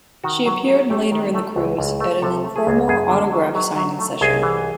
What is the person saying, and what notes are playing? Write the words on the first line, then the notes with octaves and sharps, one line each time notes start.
She appeared later in the cruise at an informal autograph-signing session.
D#3 F#4
F#3
F#3
A3 G4
D#3
A3
C#2
C#2
A3
C3 A4
A3
G#4
C#2
F#2 G#4
D3
F#3
F#3
F#3
A3
C2 G#4
E3